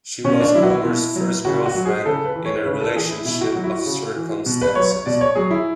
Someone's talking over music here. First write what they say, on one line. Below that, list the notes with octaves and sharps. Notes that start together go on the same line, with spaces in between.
She was Homer's first girlfriend in a relationship of circumstances.
B2 C#4
D4
F#3 E4
F#4
E4
B2
F#3
C#3 F#4
F#4
F#3
G#4
C#3 A4
B4
E3
C#5
C#3 B4
A4
E3 G#4
E4
B2 E4
F#4
F#3 F#4
E4
F#4
C#3
E3
B2
B4
F#3 C#5
C#5
B2 D5
C#5
F#3 G#4
E4